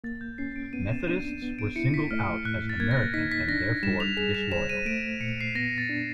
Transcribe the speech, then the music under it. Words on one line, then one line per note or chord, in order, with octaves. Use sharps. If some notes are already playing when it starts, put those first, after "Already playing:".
Methodists were singled out as American and therefore disloyal.
A#3 A6
G6
C#4 C7
D7
B3 D#7
E7
D4 D#7
E7
B3
D7
E4 C#7
B6
A3 F6
A2 F#6
A6
A#3 G#6
A#6
A6
D#4 B6
B6
D4 A#6
G3 E7
F7
G#4 F7
E7
C5 E7
D#7
A3 D7
A#2 C#7
C7
B6
B3 A#6
A6
D4